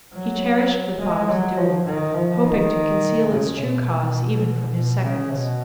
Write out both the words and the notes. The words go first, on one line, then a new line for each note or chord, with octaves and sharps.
He cherished the thought of the duel, hoping to conceal its true cause even from his seconds.
F#3
G#3
F#3
F3
D#3
F3
D#3
C#3
B2
B2
C#3
B2